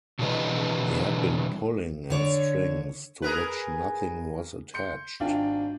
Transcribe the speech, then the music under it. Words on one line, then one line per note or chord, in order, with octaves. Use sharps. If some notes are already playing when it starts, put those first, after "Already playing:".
He had been pulling at strings to which nothing was attached.
B2 D3 E3 G3 B4 D#5
D3 C#5 D5
G#4 A#4 B4
C6 G6 C#7
G#1 D4 F4 G5 G#5